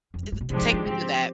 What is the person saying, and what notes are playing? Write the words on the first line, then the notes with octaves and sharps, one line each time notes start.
Th th take me through that.
F2
G2
G#2
B2
G#2 C3 F3 G#3 D4 G4
D#3
D#3
D3 F3 C4 G4